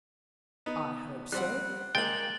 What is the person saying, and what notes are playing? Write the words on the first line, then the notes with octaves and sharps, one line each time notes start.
"I hope so."
B3 D#4
G3 C4 F#5 F#6
G#3 A#3 G5 A6 F#7